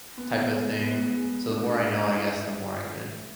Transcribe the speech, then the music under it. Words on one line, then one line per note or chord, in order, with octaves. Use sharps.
type of thing. So the more I know, I guess, the more I could
B3
G#3
B3
G#3
D4
G#3
E4